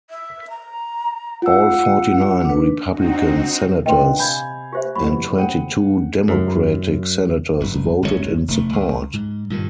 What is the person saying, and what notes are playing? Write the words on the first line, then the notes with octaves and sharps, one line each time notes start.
All forty-nine Republican Senators and twenty-two Democratic Senators voted in support.
E5
A#5
F4 F5 F#5 E6
D4 B4
C4 D4 D#4 F#4
A#2 D3 B4 D#5 G5 C6
C3 F5 G#5 B5 G6 G#6
G4 C5 E5
F#2 E3 B5 C#6
A4 C5 C#5 F#5 G5 D#7
F#2
F#1 G2
G1 C#2 D3 C#4
F1 B2 A3
C#2
G#2
G2 A#2 D#3